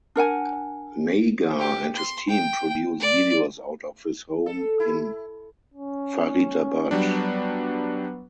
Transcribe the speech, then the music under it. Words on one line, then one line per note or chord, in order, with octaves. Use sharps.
Nagar and his team produce videos out of his home in Faridabad.
D4 A#4 F#5 G#5
G4
C6
G5
D5
A4
E4
C#4
F#3 G3 B3 D4